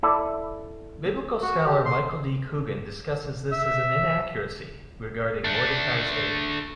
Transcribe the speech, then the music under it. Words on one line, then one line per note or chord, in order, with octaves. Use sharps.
Biblical scholar Michael D. Coogan discusses this as an inaccuracy regarding Mordecai's age.
E4 A4 D5
F#4
G4
C6
E5
A3 D4